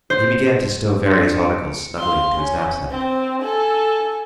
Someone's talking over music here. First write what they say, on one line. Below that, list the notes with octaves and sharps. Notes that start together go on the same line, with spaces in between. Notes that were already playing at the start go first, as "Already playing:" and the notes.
He began to stow various articles snugly into his knapsack.
C5
D4 D5 C6 A6 C#7
C#7 D7
F5 C6
C#4
C4
A4 G#5